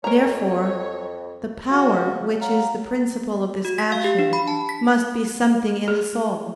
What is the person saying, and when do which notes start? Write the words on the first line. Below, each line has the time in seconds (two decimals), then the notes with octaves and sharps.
Therefore the power which is the principle of this action must be something in the soul.
0.04 F2 A#4 C#5 A#5
1.70 C#3 F#4
2.41 F#3 F5 A#5
3.65 F#4
3.78 B6
3.92 F5
4.04 G4
4.19 D4
4.33 B5
4.48 A5
4.69 B6
5.88 G#4